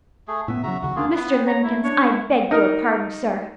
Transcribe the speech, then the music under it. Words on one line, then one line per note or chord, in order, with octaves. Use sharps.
'Mr. Limbkins, I beg your pardon, sir!
A3 G#4
A2 B3 E5
C#3 F#3 F#4 E5 A#5
D#2 C#3 F#4
D2 A#3 B3 D4 F4 G#4
B3
C4
C#5 A#5
A3 E4
D4 C#5
E4
D#4 A#4